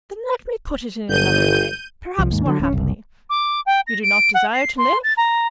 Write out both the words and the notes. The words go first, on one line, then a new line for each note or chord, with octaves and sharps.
"Then let me put it in another way--perhaps more happily: You do not desire to live?"
G1 G6 D#7
C2 F3
D#2 G#2
D3 E3 F#3
D1 B3 C#4
F#1 C2
D6
G5
A#6
D7
F#5
C7
C6
A6
A#5